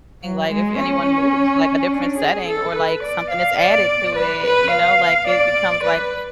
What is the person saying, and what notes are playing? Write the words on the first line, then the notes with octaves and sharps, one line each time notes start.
like if anyone moves, like a different setting or like something is added to it, you know? Like, it becomes, like
F#3
G#3
C#4
D4
G#4
A4
B4
D5
F5
D5
B4
B4
F5
D5
B4